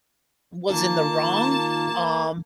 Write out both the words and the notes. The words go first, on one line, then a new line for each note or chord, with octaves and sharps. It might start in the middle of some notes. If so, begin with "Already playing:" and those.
was in the wrong, um,
D#3 A#3 F4 A5